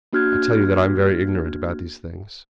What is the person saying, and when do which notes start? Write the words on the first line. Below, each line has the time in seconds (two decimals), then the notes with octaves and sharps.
"I tell you that I am very ignorant about these things."
0.13 A#3 D4 F#4 F6 F#6 G#6